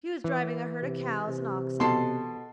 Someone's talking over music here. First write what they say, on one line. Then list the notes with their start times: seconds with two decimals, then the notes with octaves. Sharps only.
He was driving a herd of cows and oxen.
0.24 E3
0.82 C3
1.28 C3
1.80 B2 A4 C6